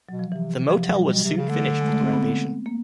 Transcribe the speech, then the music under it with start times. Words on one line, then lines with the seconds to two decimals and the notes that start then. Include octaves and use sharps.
The motel was soon finished with the renovation.
0.09 B2 F#3
0.19 F3
0.31 C3 E3
0.71 F3
0.84 F#3
0.96 G3
1.01 A#2
1.10 B2 G3
1.24 C3
1.37 C#3
1.48 D3 A3
1.81 G#3
1.88 A3
2.00 C4
2.13 B3
2.66 A#3